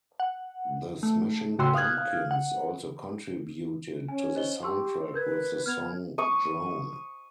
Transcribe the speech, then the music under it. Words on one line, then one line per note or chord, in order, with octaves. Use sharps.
The Smashing Pumpkins also contributed to the soundtrack with the song "Drown".
F#5
A3
A2 C#3 F#4 G5 C6 E6
F5 D#6 F6 F#6 G#6
F#5
C#4 G#5
C5 D#5 G7
G4 C6 C#6 E6
A#4 B4 G6 G#6
B3 F6 G#6 F7
C#6 D#6